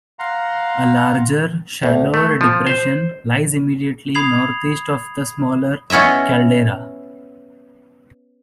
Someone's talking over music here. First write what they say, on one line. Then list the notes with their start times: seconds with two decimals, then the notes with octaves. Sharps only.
A larger, shallower depression lies immediately northeast of the smaller caldera.
0.19 F5 F#5 A#5 C6
1.83 D2
2.14 A3
2.41 F3
2.67 C5
4.15 B5 D#6 G#6 C7 F7 F#7
5.90 B3 C#4 E4 D#5 E5